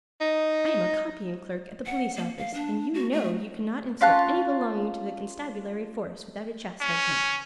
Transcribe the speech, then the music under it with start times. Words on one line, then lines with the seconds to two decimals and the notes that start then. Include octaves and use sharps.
I am a copying-clerk at the police-office; and you know you cannot insult any belonging to the constabulary force without a chastisement.
0.21 D#4
1.86 F#5
2.16 A#3
2.38 F5
2.54 D4
2.94 F#4
3.12 A3
4.01 C#4 F4 A5 F#6
6.81 C#4